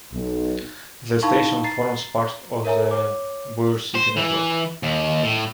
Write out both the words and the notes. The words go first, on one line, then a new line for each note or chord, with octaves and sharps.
The station forms part of the Bauer City network.
B1
D#4 E4 F5 A5 B5 C#6
A#5 A6 C7
A#4 C#5 E5 G#5 A#5
C#5 D6
C5
E3
D#2
A2